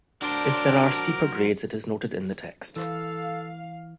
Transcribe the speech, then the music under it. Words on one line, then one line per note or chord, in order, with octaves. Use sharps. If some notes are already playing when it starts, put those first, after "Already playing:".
If there are steeper grades it is noted in the text.
F#3 D4 A#4 C5 D6
E3 A4 F5